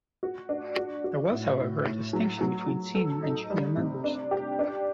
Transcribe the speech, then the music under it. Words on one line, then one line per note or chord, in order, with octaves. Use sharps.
There was, however, a distinction between senior and junior members.
F#4
D4
F#4
F#4
A2
A2
A2
F#3
F#3
F#3
A4
D#4
G3
C3
D4
G4
D4